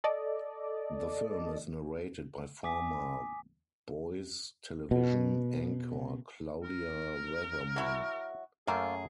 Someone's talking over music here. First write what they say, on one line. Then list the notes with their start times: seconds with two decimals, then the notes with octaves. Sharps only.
The film is narrated by former Boise television anchor Claudia Weathermon.
0.04 A4 D5 D#5
2.64 G#5 D6 D#6 B6
4.91 B2
6.63 A#4
7.76 F#3 E4 F#4 A5
8.67 F#2 A3 A#3 C#4 F4 G#4